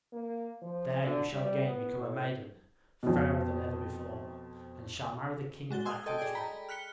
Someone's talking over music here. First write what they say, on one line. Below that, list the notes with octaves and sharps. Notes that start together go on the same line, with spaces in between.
There you shall again become a maiden, fairer than ever before, and shall marry the king of that country.
A#3
F3
D3
G3
B3
A2
F2 B2
G#3 F#4 A6 G7
G#5 C6 D#6 E6 G#6
A4 D#5 G5 A5 D7
G#4 D5 G5 G#5
G5 A#5 B5 B6
F6 F#6 B6 C#7 G7